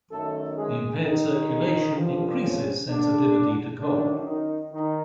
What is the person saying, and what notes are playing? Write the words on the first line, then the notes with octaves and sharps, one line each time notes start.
The impaired circulation increases sensitivity to cold.
F#2 D#3 A3 A4
G#3 G#4
D#3 D#4
G2 D3 F3
C#3 C#4
D3 D4
F#2 D3 D#3 D4
D#3 D#4
D#3 D#4